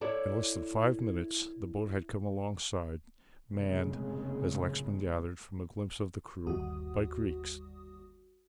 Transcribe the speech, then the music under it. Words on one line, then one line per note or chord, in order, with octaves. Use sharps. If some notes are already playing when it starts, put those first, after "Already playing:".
In less than five minutes the boat had come alongside, manned, as Lexman gathered from a glimpse of the crew, by Greeks.
E4 A4 C#5 D5
F1 F#2 A#2 C#3 G#3
G1 D#2 G3 F#4 D#6